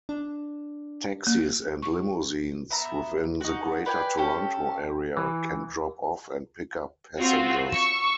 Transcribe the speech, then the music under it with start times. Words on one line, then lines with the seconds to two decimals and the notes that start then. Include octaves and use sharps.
Taxis and limousines within the Greater Toronto Area can drop off and pickup passengers.
0.09 D4
1.27 A#3
1.82 C#6
2.70 B3 E5 A#5
3.41 D#4 F#4
3.86 B4 D5 G5 G#5
4.17 C#4 G4 A4
5.17 E3
7.20 C4 F4 F#4
7.68 C#6 E6